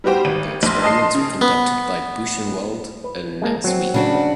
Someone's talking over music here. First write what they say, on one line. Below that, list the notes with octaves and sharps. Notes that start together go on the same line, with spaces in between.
The experiments were conducted at Buchenwald and Natzweiler.
G3 B3 F#4 G4 C5
G#1 D#7
A#1 C6
D#5 A5 C6 C7
C#3
B3
B4
G#3 A#3 A5
F#3 C4
C#3 D4 F#4